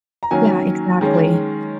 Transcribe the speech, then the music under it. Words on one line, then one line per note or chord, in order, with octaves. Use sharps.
Yeah. Exactly.
A#5
D#3 F#3 A#3 C#4 G#5
D#3 G#3 C#4